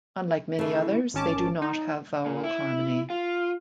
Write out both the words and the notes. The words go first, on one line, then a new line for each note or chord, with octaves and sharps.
Unlike many others, they do not have vowel harmony.
C#3 E3 A3
G#1 D#3 C#4 A5 D6
D#4
A#2
E4
F4